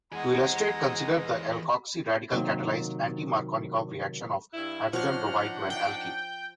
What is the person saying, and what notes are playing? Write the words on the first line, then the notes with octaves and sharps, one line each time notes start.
To illustrate, consider the alkoxy radical-catalyzed, anti-Markovnikov reaction of hydrogen bromide to an alkene.
E3 G#3 G#4 D#5 F#5 G#5 A#5
C3 D#3 F#3 A#3
G2 E4
F3 D4 D#4 C#5 F#5 F6
G5